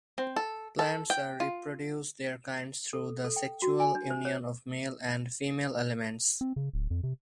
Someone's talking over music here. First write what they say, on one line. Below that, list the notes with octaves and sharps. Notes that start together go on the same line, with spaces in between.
Plants reproduce their kinds through the sexual union of male and female elements.
C4
A4
A4
G5
F4
A4
A4
G5
F#4
G#5
D4
C5
C#5
C4
C#3
D1
F2
C3